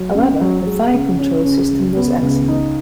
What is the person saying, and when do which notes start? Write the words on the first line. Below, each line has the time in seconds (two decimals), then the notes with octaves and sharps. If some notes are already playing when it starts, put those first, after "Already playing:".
However, her fire control system was excellent.
Already playing: F#3
0.14 F#2
0.41 F#3
0.66 G#3
0.93 C#3
1.19 C#4
1.45 C#3
1.71 C#2
1.96 B3
2.22 C#2
2.48 D#4